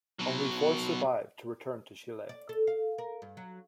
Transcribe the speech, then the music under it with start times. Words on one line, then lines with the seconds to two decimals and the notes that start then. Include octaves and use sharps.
Only four survived to return to Chile.
0.19 B2 F#3
2.29 D5
2.49 A4
2.67 F5
2.98 A#4
3.22 G2
3.37 F#3